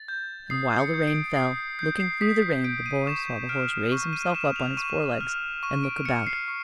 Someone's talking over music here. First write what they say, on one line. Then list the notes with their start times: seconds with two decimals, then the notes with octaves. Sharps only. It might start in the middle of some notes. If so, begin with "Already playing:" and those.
And while the rain fell, looking through the rain, the boy saw the horse raise himself up on his forelegs and look about.
Already playing: A6
0.08 G6
0.50 D#6 C7
0.79 C#7
0.94 G6
1.08 D7
1.36 D#6 C7
1.79 G6 C7
2.00 C7
2.21 D#6 B6
2.42 C7
2.64 G6 D7
2.86 D#7
3.07 C#6 E7
3.49 F6 D7
3.92 C#6 D#7
4.13 D#7
4.34 F6 E7
4.56 F7
4.77 C#6 D#7
5.21 F6
5.63 C#6 D#7
5.84 D7
6.05 F6 C#7
6.27 C7
6.48 C#6